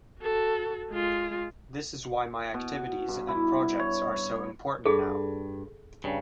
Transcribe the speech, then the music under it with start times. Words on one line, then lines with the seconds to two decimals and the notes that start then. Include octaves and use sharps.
This is why my activities and projects are so important now.
0.21 F#4 A4
0.90 G#3 F4
2.54 B2
3.08 G2
3.29 E4
3.79 C#5
4.85 G2 G#4 A4
6.04 G2 C#3